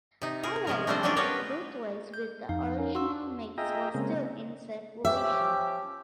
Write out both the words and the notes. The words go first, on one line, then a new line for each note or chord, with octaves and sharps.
However, bootlegs with the original mix were still in circulation.
C3 D#4
G#4 A#4
C3 F3 G#3 C#4 A#4
A3 C4 D4 F4 C5
G3 G#3 A#3 C#4 D4 G4
B3 D4 A#4 B4 C#5 D#5
G6
F2 D#4 F5
C#4 A#4
F#4 C6 C#6 E6
F4 G#4 D#5 E5 G5 A#5
C#3 G#3 A#3 C4
F3 C#4 G4 E5